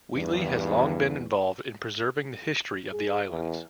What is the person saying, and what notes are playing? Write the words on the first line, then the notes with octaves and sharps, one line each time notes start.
Wheatley has long been involved in preserving the history of the islands.
E2 G2
G#4
E2